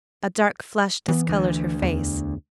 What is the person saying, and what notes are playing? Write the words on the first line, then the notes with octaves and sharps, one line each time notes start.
A dark flush discolored her face.
E3 B3
D2
E2